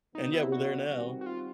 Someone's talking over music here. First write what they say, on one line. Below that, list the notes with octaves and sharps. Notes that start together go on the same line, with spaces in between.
And yeah, we're there now.
D3 F#3 B3 D#4
E4
F#4
D#3 G3 C4
F#4
F4